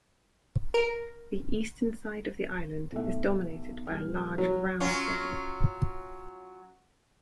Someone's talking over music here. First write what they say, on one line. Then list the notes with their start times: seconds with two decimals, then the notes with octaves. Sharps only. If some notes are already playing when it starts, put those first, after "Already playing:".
The eastern side of the island is dominated by a large round bay.
0.74 A#4
2.92 B1 A3 E5
3.87 D#1 F6
4.38 F#3
4.80 F#3 C#4 F4